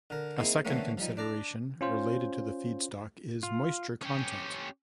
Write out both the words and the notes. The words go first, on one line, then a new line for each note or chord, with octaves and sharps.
A second consideration related to the feedstock is moisture content.
D3 A#4
A#3 C4 D#4 E4 G#4
D3 E3 A3 A#3 C4 C#4
F3 G3 D#4
D4 D5 A#5
C#4 F4 C5
F4
C#4 G4